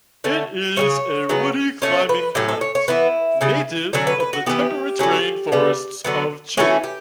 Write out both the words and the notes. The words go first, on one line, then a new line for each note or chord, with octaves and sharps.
It is a woody climbing plant, native of the temperate rain forests of Chile.
D3 A3 C#4
C#3 G3 C#4 C#5
C#3 F#3 B3
B2 A3 C#4 C#5
B4
A2 F#3 C#4 G4
A4
C#5
C#5
E3 B3 E4
C#3 G3 C#4
D3 F#3 C#4 D4
B4
B4
F#4
E3 B3 G4
D3 F#3 C#4
C#3 G3 B3
D3 F#3 B3
E3 A3 C#4 F#4
G4